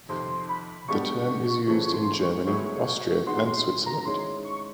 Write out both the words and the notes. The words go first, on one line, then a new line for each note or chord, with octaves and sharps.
The term is used in Germany, Austria, and Switzerland.
F2 C3 D#3 C6
B5
B2 G#3 B3 D4 G4 C#6
F#2 C#3 E3 A3 C4 C#6
C6
C6
C#6
A2 F#3 B3 E4 G#4 C#6
D#3 G#3 B3 D#4 F#4 C6
C6
A#5
G#2 D#3 G#3 C#4 E4 C6
C#6